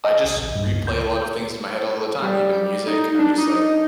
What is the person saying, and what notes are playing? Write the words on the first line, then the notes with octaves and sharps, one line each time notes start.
I just replay a lot of things in my head all the time, even music, I'm just, like,
D#5
C2
A1
G2
C#2
G6
G3
D#4
D4
D#4